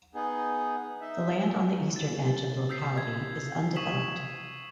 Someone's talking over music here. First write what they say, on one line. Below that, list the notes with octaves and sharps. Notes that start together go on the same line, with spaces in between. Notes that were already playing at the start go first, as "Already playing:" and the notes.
The land on the eastern edge of the locality is undeveloped.
B3 D#4 G#4
D#4 E5
A6
D#6 E6 G6 B6 C7
G#6
C#6 D#6 B6 E7 F#7